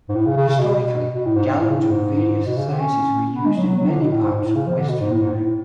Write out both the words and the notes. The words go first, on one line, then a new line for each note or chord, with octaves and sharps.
Historically, gallons of various sizes were used in many parts of Western Europe.
G#2
A2
C#3
C#3
C#3
B2
B2
A2
G#2
G#2
A2
C#3
A2
G#2
B2
C#3
D3
C#4
B3
G#3
F#3
F#3
F#3
D3
B2
A2
G#2
G#2
A2
C#3
F3
D3
B2
G#2
A2
G#2
A2
A2